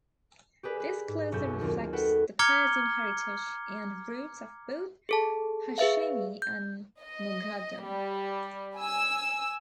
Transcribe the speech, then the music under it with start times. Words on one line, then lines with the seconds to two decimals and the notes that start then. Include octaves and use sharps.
This closely reflects the Persian heritage and roots of both Hashemi and Moghaddam.
0.63 G4 G#4 B4 D5
0.77 B4 E6
1.08 G#2
1.32 B1 F#2 B2 E6 G6
1.61 D#2 C4 F4
1.93 F#4 A4 B4 F#5 G5
2.39 A#5 D6 F6 G#6 C#7 G7
5.09 G#4 A4 A5
5.78 G#4 B4 E5 F5
6.42 G6
7.02 D#5
7.84 G3
8.77 G#5 E6